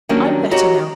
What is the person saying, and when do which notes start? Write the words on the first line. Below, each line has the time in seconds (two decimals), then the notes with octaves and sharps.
I am better now.
0.09 D#3 F#3 G3 A#3 C#4 D4
0.51 F#4 G4 C#5 D#5 A#5